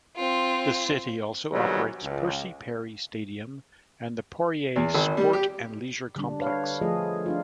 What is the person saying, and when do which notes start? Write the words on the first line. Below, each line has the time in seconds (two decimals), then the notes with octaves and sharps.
The city also operates Percy Perry Stadium and the Poirier Sport and Leisure Complex.
0.16 C4 F4
1.52 A#1 D#3 F#3 G3 B3 G#4
2.02 C#2
4.76 E2
4.94 G#1
5.17 G3
5.33 G4
6.16 D3 G3 D4
6.40 B4 C#5 F5
6.81 F3 A3 F4 G#4 A4 D#5
7.26 D4 D#4 F4